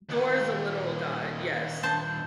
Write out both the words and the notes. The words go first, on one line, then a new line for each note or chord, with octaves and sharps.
Thor is a literal god, yes.
D#2 A#2
C5 A5